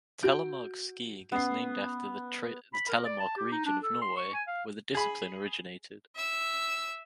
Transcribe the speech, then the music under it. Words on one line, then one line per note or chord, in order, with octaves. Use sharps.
Telemark skiing is named after the Telemark region of Norway, where the discipline originated.
F#4 G6 D7
B3 C#4 C7
B5
A#4
D5
A5
G4
D#4
D4
A4
C6
C#6
G#5
F5
G#4 B5
E5 E6